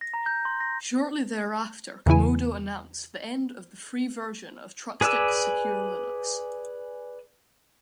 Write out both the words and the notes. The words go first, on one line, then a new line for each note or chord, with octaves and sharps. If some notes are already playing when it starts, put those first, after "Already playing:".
Shortly thereafter Comodo announced the end of the free version of Trustix Secure Linux.
A#6
A#5
G6
C6
A#6
E2 C#3 E3 E4 G#5
G#4 B4 D5 G#5 E6